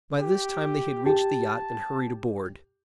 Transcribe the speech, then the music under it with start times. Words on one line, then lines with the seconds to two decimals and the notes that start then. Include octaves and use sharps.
By this time they had reached the yacht and hurried aboard.
0.20 G4
1.06 G4 A5